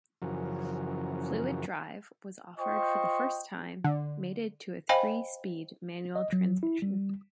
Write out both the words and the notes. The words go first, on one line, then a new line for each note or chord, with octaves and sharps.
Fluid Drive was offered for the first time, mated to a three-speed manual transmission.
F#2 C#3 E3 F3 F#4 A#4
F4 C5 D#5 G5 C#6
D3
C5 D#5 F5 G5 G#5 B5
D#5
F#3
E4
G3